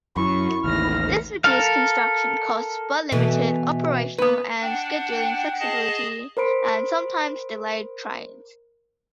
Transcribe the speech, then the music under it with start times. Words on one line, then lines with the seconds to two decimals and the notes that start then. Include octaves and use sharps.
This reduced construction costs, but limited operational and scheduling flexibility and sometimes delayed trains.
0.17 F#2 E4 C#6
0.64 A1 D#2 F6 A#6
1.44 A4 A#4 F5
3.12 B2 E3 A3
4.18 B3 B4
4.61 D4 F#5 G5
5.60 G#4 D#5 A5
6.37 A#4 C5 B5 D7